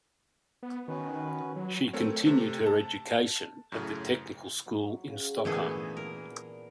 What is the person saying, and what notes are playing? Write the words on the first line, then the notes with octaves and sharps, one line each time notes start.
She continued her education at the Technical School in Stockholm.
B3
D#3 C#4 F#4 B4
F#3
A3 C4 A#4 C#5
C3 A3
A5
F#2 A2 C#3
F#3 B5
C#3
A#2 E3 A3 B3 D4 G#4
A#4